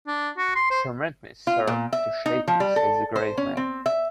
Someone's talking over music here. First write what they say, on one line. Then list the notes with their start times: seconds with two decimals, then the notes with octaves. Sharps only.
'Permit me, Sir, to shake it,’ said the grave man.
0.07 D4
0.37 F#4
0.56 C6
0.71 C5
1.47 F4
1.67 A#2
1.93 E5
2.26 D#4
2.48 F3
2.60 G3
2.76 A4
3.16 C5
3.38 C#4
3.57 C4
3.86 E5